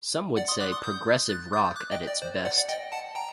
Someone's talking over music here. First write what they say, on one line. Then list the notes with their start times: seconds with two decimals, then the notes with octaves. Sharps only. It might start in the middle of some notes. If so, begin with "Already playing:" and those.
Some would say: "Progressive Rock at its best".
0.36 D5 F#5
0.48 C6 D#6
0.60 D6 F#6
0.72 C6 D#6
0.84 D#6 G6
1.29 F#6 A6
1.53 D#6 G6
1.76 D6 F#6
1.91 D#5 G5
2.07 D5
2.22 C5
2.45 D5 F#5
2.57 D5 F#5
2.69 D#5 G5
2.92 F#5 A5
3.15 G5 A#5